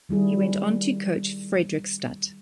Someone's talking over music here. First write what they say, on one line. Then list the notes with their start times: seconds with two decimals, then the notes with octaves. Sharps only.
He went on to coach Fredrikstad.
0.09 D#3 G3 E4 G#4